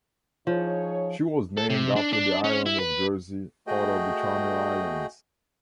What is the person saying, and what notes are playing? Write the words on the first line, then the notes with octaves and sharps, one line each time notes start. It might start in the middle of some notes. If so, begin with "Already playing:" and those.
She was named after the island of Jersey, part of the Channel Islands.
F3 D#4 G#4 C#5
A4
C3
D4
D4
C#4
E4
B4
A3 F#4 G#4 D#5 G5